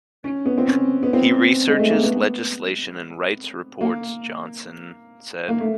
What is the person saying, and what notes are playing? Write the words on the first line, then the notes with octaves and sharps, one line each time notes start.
He researches legislation and writes reports, Johnson said.
C#4
B3
C4
C#4
B3
C4
G#3
A3
A#3
B3
A#3
A#3
A3